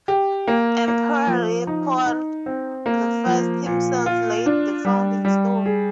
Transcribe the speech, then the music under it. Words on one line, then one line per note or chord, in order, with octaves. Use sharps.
Emperor Leopold the First himself laid the founding stone.
G4
A#3
A#3
F3
D#4
D#4
C4
A#3
F3
A#2
F4
D4
G3
G3
G#4